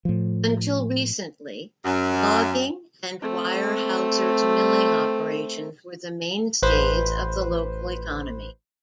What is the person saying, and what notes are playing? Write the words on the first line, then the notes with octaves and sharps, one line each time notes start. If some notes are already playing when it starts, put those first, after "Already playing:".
Until recently, logging and Weyerhaeuser's milling operations were the mainstays of the local economy.
A2 F3
F#2
A3 C4
A1 B4 C5